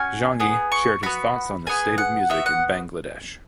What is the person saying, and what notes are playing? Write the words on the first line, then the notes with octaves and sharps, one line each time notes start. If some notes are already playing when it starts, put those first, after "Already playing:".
Jangi shared his thoughts on the state of music in Bangladesh.
Already playing: C#4 F#4 G#5
B3 G#4
C#6
B3 F#4 B5
B3 G#4 G#5
F#5
B3 F#4 E5
F#5